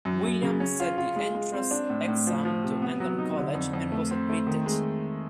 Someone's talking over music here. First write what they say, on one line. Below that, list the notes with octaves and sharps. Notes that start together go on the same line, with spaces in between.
William sat the entrance exam to Eton College and was admitted.
F#2
F#2
C#3
C#4
F4
F4
G#3
G#3
C4
D4
A2
A2
F3
F3
C3
B3
F#3
D#4
D3
F2
F2
A3
C4
A3
D#3
G#3